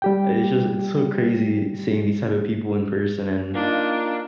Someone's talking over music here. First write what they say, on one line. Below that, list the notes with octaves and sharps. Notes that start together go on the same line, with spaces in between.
it's just it's so crazy seeing these type of people in person, and I
G3 G4 G5
A#3 D4 D#4 F4